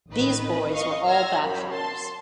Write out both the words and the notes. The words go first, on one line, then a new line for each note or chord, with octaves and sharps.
These boys were all bachelors.
A1 D#3 B4 D#5
D#5 F5 C#6
C6 E6 F6 G#6 A#6
F#2 B5
A5 C6